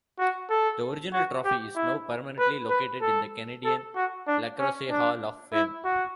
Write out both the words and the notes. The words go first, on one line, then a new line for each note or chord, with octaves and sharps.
The original trophy is now permanently located in the Canadian Lacrosse Hall of Fame.
F#4
A4
F#4
G4
E4
B4
B4
A4
A4
F#4
D4
C#4
D4
E4
F#4